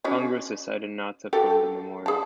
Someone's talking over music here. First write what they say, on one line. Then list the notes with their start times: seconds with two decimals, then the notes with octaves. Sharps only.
Congress decided not to fund the memorial.
0.04 C#4 F#4 D#5
1.33 F#4 G4 A4
2.06 G#4 A5